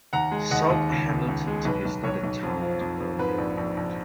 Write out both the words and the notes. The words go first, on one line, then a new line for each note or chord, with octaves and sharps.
South Hamilton is not a town or neighborhood.
D#2 F#5 A#5
G#3
D#2 D#5 F#5
D#2
C#2
C#2
C#2
G#3
B1 B4
B1
B1 C#5
B1
F2
F3
F2
F2
G#2 B4
A#1
A#1
A#1